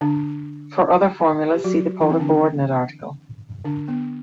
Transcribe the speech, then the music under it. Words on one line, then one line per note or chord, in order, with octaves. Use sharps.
For other formulas, see the polar coordinate article.
D3 D4
G4
F#3 F#4
E3 E4
C4
D3 D4
D3 D4
B3